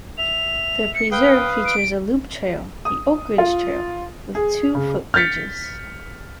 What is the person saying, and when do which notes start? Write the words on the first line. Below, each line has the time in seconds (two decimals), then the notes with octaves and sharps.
The preserve features a loop trail, the Oak Ridge Trail, with two footbridges.
0.18 E5 F7
0.94 C#7
1.11 B4 F5 G5 D#6
1.66 D7
2.85 D#6
3.38 F4
4.35 G#4
4.75 C#3
5.14 F6 G6 A6 B6 C#7